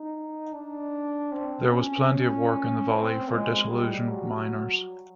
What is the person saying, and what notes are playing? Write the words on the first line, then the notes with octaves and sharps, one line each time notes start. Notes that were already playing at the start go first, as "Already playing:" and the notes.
There was plenty of work in the valley for disillusioned miners.
Already playing: D#4
D4
C4
C#4
C#4
C4
G#3
G3
F#3